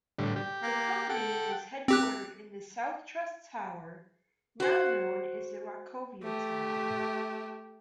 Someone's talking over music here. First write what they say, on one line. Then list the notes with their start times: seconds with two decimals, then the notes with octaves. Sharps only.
The Company was headquartered in the SouthTrust Tower, now known as the Wachovia Tower.
0.19 A2 D3 G3
0.36 G4
0.63 A#3
1.09 A4 F#5 G5
1.88 C4 G4 F#6
4.60 F#4 C5
6.23 A3 G4